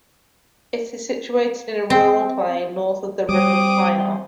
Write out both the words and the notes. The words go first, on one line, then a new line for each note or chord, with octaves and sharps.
It is situated in a rural plain, north of the river Pineios.
C4
G3 C4 D6 D#6